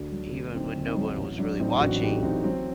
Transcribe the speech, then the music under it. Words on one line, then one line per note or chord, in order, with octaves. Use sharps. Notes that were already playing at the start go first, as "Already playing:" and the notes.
even when no one was really watching,
Already playing: D2 D4 F#4
F#3
D2
D3 C4 D#4
D2
C4 D#4
F#3
A1
F#3 D4
A2 C4 D#4
A1 D4 F#4
A2 D#4 G4
A1 C4 D#4
F#3 C4